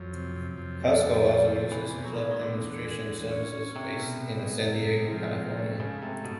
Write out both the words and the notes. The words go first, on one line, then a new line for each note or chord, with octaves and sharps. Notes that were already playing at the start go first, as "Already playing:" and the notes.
Costco also uses Club Demonstration Services, based in San Diego, California.
Already playing: F2 F#3
C3
C3
F2
A3
F2
A3
C3
E2 E3
B2
F#3
F3
G#3
E3
D#3
B2 D3
E2
G#3
E2
C#4
C#4
C3 C#4
B2
B2
G#2
G#2
G#2
F3
G#2
A3
G#2 C#3
C3 A3
B2